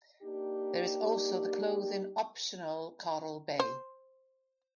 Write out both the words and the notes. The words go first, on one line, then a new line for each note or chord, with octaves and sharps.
There is also the clothing-optional Coral Bay.
A#3 D4 D#4 G4
C5